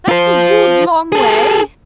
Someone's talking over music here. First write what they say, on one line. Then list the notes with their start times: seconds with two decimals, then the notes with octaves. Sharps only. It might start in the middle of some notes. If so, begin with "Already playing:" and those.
'That's a good long way.
0.09 F4 C5
1.12 G#4 A4